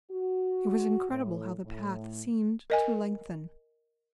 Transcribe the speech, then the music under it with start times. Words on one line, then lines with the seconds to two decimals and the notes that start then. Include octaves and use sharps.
It was incredible how the path seemed to lengthen.
0.12 F#4
1.09 A2
1.64 A2
2.70 A#4 D#5 G#5